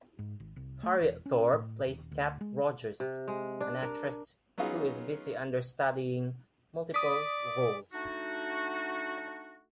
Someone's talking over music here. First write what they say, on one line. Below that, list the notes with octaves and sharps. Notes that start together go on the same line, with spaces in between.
Harriet Thorpe plays Cat Rogers, an actress who is busy understudying multiple roles.
G#2
G#1
C2
A3
E1
C#4
A2
D#1
D2
G#3
C3
G#3
D4
A#4
F#3 B3 C#4 D#4 F4 G#4
D5 D#6 B6
A3 D4 D#4 F#4